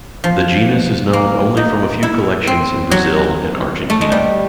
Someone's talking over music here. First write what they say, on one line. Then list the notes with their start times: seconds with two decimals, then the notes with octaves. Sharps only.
The genus is known only from a few collections in Brazil and Argentina.
0.24 F3
1.13 A#3
1.57 D#4
2.03 E4
2.47 C4
2.91 F#3
3.90 A3
4.01 G#3
4.12 G3